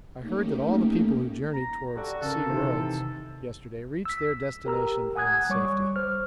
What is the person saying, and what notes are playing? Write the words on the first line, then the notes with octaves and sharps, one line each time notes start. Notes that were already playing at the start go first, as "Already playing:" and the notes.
I heard that all the people who journeyed towards C. Royds yesterday reached their destination in safety.
A3 A#3 C#4 D#4 G4
A#5
F#4 G4 A4 D5
C#3 A4 A#4
C3 D#3 E3
E6 B6
G4 A#4 A#5 E6
F#5 G#5 D#6 F#6 G#6
G3 C#5 C#6 D6
C5 F6